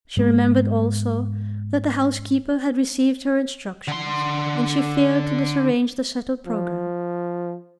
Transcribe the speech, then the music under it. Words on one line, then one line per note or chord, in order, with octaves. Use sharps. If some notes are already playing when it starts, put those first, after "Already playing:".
She remembered also that the housekeeper had received her instructions, and she feared to disarrange the settled programme.
G#2 G#3 B3
D3 C6
F3